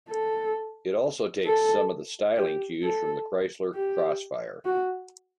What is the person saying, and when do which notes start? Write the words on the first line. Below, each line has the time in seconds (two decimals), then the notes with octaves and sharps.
It also takes some of the styling cues from the Chrysler Crossfire.
0.09 A4
1.46 A4
2.37 G4
2.83 A4
3.74 G4
4.65 F#4